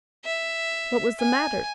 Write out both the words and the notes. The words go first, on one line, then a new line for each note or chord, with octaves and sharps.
What was the matter?
E5
G#5